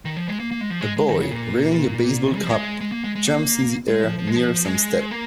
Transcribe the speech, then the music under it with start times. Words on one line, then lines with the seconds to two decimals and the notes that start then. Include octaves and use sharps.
A boy, wearing a baseball cap, jumps in the air near some steps.
0.05 D#3
0.17 F3
0.28 G#3
0.40 A#3
0.51 A#3
0.61 G#3
0.70 F3
0.81 G#3
0.97 G#3
1.08 D#3
1.20 C#3
1.31 A#2
2.35 G#3
2.42 F3
2.49 G#3
2.81 G#3
2.92 A#3
3.04 G#3
3.15 G#3
3.27 A#3
3.88 G#3
4.04 F3
4.18 F3
4.27 G#3
4.36 F3
4.65 G#3
5.11 A#3